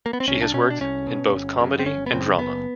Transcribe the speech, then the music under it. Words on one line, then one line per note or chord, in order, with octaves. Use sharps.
She has worked in both comedy and drama.
A#3
B3
C4
C2 C#4
D4
B2 C#4
D4
C2 C#4
B2
G1
F#2 C#3
C4
G1 C#4
B3
F#2 C#3 C4
F#1 B3